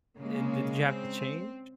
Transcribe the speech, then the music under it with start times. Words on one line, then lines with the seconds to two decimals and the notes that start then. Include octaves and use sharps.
and did you have to change?
0.20 C#3 G#3 A#3
0.86 C4